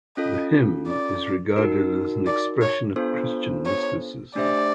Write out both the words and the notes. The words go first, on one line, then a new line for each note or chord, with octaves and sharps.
The hymn is regarded as an expression of Christian mysticism.
C#4 F4 A4 D#5
D5
D#4 F#4 A#4
D5
C#5
B3 D4 F4 A4 C5
C#5
A3 D4 G4 C5 D5 E5